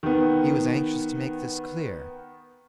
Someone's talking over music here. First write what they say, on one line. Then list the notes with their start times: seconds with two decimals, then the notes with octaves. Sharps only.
He was anxious to make this clear.
0.03 D#3 B3